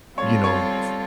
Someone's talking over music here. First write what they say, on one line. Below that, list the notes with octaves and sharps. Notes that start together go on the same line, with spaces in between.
you know, f
G3 C4 F4 A4 C#5
C#5